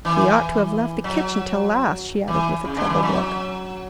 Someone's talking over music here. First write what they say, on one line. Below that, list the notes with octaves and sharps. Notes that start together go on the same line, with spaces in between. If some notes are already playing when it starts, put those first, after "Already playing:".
"We ought to have left the kitchen till last," she added with a troubled look.
E3
F#3
E3
C#3
D3
E3
F#3